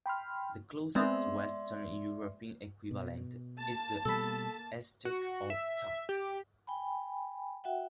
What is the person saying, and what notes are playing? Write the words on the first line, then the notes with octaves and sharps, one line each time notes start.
The closest western European equivalent is the estoc, or "tuck".
G5 B5 C6 F6
G#3 B3 C4 D5 E5 C6
B2
A#3 A5
B2 G3 A4 B5
F#4
E5
G4
G5 G#5 B5
F#4 E5 F#5 G5